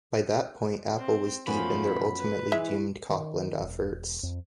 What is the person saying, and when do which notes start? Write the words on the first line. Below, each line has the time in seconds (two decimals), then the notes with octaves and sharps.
By that point, Apple was deep in their ultimately doomed Copland efforts.
0.98 C4
1.47 F#2 F3 A3 B3 G#5 B5
2.17 B4
2.52 E3 G#3 E5
3.10 D#3
3.61 E1
4.23 F2